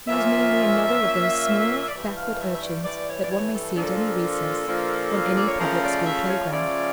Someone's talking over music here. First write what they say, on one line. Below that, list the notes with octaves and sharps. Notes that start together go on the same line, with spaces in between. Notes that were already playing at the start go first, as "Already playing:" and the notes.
He was merely another of those small, backward urchins that one may see at any recess, on any public school playground.
A#2 F3 A#3 C#4 F4 E5
A#2 F3 A#3 C#4 F4
D5
G2 E3 A3 E5
F5
E5
E5
D5
G2 E3 A3 D5
C#5
D5
C#5
A4
A#2 F3 A#3 D4 F4 A4
A#2 F3 A#3 D4 F4
D5
C#5
C#3 F3 A3 C#4 F4 A#4
D5
E5
C#5
C#3 F3 A3 C#4 F4 D5